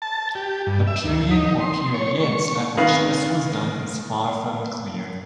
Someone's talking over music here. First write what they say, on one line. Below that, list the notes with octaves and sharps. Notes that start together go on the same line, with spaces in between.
The period or periods at which this was done is far from clear.
A5
G4
G2
E5
D2
D#4
C6
C#5
C#6
G#1 D#3 B4 F5